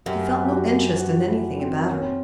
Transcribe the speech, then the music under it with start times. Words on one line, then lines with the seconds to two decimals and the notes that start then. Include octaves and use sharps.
She felt no interest in anything about her.
0.06 F#2 G4
0.43 G4
0.52 F#4
0.97 F#4
1.07 F4
1.17 F#4
1.28 E4
1.59 C4
1.89 C#4
2.01 C4